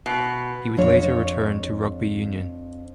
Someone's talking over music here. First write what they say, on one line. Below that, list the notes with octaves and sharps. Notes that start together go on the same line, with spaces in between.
He would later return to rugby union.
B2
F2 D4 C#5